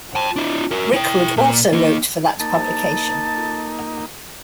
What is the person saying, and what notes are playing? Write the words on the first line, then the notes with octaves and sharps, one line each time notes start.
Rickword also wrote for that publication.
G5 A5
D4 E4
F#4 A#4
E4 G5
A#2
A#3 D#4
A#3 D#4 A5